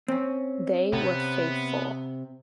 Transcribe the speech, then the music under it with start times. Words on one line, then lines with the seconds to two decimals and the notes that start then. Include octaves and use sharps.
They were faithful.
0.08 C4 C#4
0.93 C3 B3